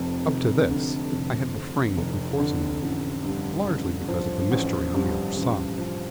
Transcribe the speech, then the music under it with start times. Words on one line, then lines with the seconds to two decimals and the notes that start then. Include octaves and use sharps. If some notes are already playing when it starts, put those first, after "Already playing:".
Up to this, I had refrained from forcing them, largely because of the mystery on the other side.
Already playing: F1 F2
0.28 F1
0.70 D3
1.12 F1
1.55 F2
1.97 F1
2.40 D3
2.82 A1
3.25 G2
3.66 A1
4.08 F3
4.51 A1
4.94 G2
5.36 A1
5.78 F3